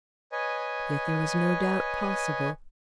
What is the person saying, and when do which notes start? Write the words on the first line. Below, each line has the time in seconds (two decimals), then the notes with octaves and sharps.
Yet there was no doubt possible.
0.32 B4 C#5 D#5 G#5